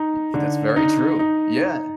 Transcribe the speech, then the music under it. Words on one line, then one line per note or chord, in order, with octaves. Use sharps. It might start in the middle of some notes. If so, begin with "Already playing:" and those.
Y y that's very true, yeah.
Already playing: D#4
D3
D#4
D#4
D#4